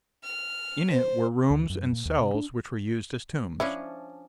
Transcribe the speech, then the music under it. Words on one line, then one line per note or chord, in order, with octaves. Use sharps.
In it were rooms and cells which were used as tombs.
F6
C5
D2
F#2
A#2
D#2
C3
D4
F3 C#4 D4 E4